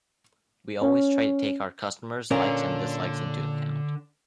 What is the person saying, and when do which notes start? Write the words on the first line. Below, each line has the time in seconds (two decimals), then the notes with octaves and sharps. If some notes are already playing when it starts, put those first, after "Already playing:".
We always try to take our customers’ likes and dislikes into account.
0.81 C#4
2.31 A#2 D3 C#4 A#4